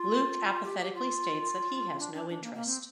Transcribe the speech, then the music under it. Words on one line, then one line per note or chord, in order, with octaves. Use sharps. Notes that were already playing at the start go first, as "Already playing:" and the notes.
Luke apathetically states that he has no interest.
Already playing: F4
G4
G4
F4
D4
D4
D4
A#3
A#3
C4